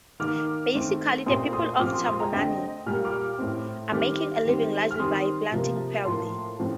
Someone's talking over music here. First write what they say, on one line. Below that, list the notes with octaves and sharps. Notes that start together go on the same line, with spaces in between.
Basically the people of Tambunan are making a living largely by planting paddy.
D#3 A#3 D6 F6
D#3 A3 C4
A#2 A3 C4 C6 D#6
C6 D#6
D#6
A#2 F3 C4 D6 F6
C6 D#6
C6 D#6
G5 A#5
D3 A3 C4 D#5 G5
A#2 G3 A#3 F6
D6 F6
A2 A3 C4
D#3 G3 C4 D6 F6
D#3 G3 C4
F6
D#3 G3 C4 C6 D#6
C3 F3 A#3
A2 F3 A#3 A5 C6
A2 F3 A3 C4